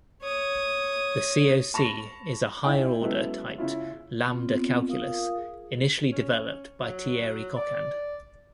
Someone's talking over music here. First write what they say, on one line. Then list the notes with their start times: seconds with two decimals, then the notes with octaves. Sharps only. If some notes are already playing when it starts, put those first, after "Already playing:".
The CoC is a higher-order typed lambda calculus, initially developed by Thierry Coquand.
0.22 C#5 D#6
1.74 A5 B5 C#6 A#6 E7 F7
2.64 D#4 E4 D5 F5 G5 G#5
3.00 F#3 G#3 B3 C#4 E4 A4
3.58 C#3 C#4 E4 F4
4.27 B3 C4 F4
4.87 F4 A#4 F5 D#6
5.37 G#4
6.11 C#4
6.81 F#3
7.56 D5